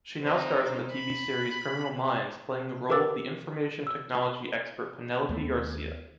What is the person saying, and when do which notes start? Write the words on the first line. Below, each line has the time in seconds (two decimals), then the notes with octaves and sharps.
She now stars in the tv series “Criminal Minds” playing the role of the information technology expert Penelope Garcia.
0.22 C4 D#4
0.92 B5
2.89 G4 A#4 B4 D6 E6 A6
3.87 E6
5.29 D#2 A3 B3